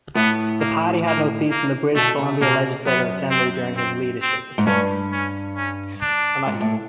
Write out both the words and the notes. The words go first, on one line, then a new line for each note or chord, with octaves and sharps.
The party had no seats in the British Columbia Legislative Assembly during his leadership.
A2 B3
A#3
A#3
A#3
B2 A3
C3
B2 A#3
F#2 B3
C4
C4
C4
G#2
G2 C#4
C#4
C#4
D4
G#2
A2